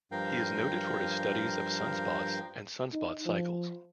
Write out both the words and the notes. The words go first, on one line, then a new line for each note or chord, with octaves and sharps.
He is noted for his studies of sunspots and sunspot cycles.
G2 F3 A#4 F5 G5
D#4
F3